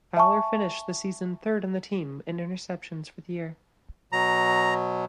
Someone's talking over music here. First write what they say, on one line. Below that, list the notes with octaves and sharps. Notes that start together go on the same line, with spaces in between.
Fowler finished the season third on the team in interceptions for the year.
E5 G#5 A5 C#6
B2 F#3 A#5